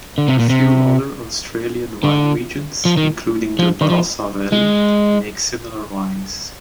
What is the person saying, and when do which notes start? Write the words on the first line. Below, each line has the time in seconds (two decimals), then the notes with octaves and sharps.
A few other Australian wine regions, including the Barossa Valley, make similar wines.
0.18 D3
0.28 C3
0.39 A#2
0.49 C3
2.04 D3
2.85 F3
2.97 D#3
3.59 F3
3.81 D#3
3.90 F3
4.52 G#3